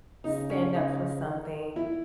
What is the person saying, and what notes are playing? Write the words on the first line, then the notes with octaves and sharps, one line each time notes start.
stand up for something,
C#3 D#4
C#4
C#3 D#4
D#3
E4